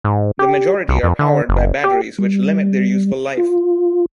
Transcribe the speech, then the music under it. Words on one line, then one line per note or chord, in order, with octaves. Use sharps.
The majority are powered by batteries which limit their useful life.
G#2
G4
C2
F2
D3
F#1
G4
G3
F4